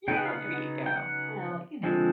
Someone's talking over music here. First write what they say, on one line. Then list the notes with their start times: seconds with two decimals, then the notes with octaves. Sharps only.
Yeah. There you go. Well, you know,
0.08 C#3 F#3 B3 D#4 G5
0.16 F#5
0.26 F5
0.34 F#5
0.86 G5
0.96 F#5
1.83 D3 F3 G#3 C4